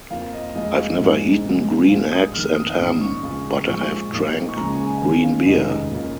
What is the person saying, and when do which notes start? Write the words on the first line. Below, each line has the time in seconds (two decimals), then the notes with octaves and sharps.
I've never eaten green eggs and ham, but I have drank green beer.
0.10 F2 F3 A#3 F4 F5
0.33 D#5
0.55 F2 F3 G#3 F4 D#5
0.77 F5
1.00 A#1 G#2 F3 G#3 D#4
1.45 F2 C#3 G#3 F4
1.89 A#1 G#2 G#3 F4 F5
2.12 D#6
2.33 F2 D#3 A#3 F6
2.56 D#6
2.78 A#1 G#2 D#3 C#4 D#6
3.01 C#6
3.23 C#2 C#3 G#3 F4
3.67 A#2 F3 G#3 C#6
4.12 A#2 F3 A#3 D#4
4.49 C#6
4.56 C#2 C#3 F3 G#3 A#5
4.72 G#5
4.87 G#5
5.01 D#2 D#3 C#4 G#5
5.23 F5
5.46 F1 D#2 C#3 G#3 D#4 D#5
5.90 A#2 A#3 C#4 F4